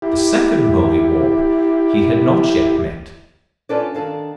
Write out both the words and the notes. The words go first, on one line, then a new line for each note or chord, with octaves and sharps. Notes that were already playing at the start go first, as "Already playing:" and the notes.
The second Mouldiwarp he had not yet met.
E4 G4
C#4 D4 F4 A4 B4 D5
D#3 D4 A4 F5